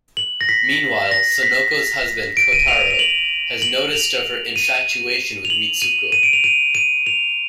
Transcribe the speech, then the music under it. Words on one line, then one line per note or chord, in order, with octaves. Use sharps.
Meanwhile, Sonoko's husband Kotaro has taken notice of her infatuation with Mitsuko.
F#7
A#6
B6
A#6
B6
D7
D#7
F7
F7
F#7
F#7
F7
D#7
F7
F#7
D#7
D#7
D7
F7
D#7
D#7
F7